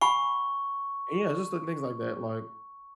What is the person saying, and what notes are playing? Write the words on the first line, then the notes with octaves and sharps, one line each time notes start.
And yeah, just doing things like that, like
F#5 G#5 B5 C#6